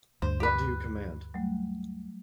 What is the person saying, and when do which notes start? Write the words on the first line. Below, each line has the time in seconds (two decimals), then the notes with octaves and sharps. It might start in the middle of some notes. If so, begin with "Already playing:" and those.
What do you command?
0.22 D2 G2 C5
0.40 G4 B4
1.34 F#3 G3 A3